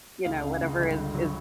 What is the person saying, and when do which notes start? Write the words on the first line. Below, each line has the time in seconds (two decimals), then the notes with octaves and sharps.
you know, whatever is is
0.25 C#2 F5
0.43 C#3
0.61 C#2
0.80 G1
0.97 G2
1.15 F#3